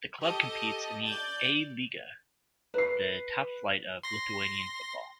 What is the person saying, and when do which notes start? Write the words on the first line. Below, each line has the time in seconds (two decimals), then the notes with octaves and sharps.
The club competes in the A lyga, the top flight of Lithuanian football.
0.19 G4 A4 D#5
1.05 D5 G6 A6
2.74 B4 C7
4.03 C6 A#6